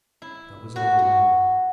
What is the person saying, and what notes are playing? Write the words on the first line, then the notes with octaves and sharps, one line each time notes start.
That was all the writing.
E4
F#4
F#4